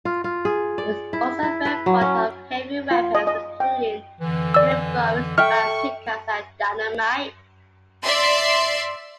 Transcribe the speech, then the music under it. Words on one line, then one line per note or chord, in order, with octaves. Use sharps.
He is also very fond of heavy weapons, including flamethrowers, bazookas, and dynamite.
F4
F4
G#4
D5
E4
E4
B4
F#3
C#4
F4
D#5
D#5
G5
F2 D3 E3
D5 E6
A4 E5 G5 C#6 F6
D5 E5 C6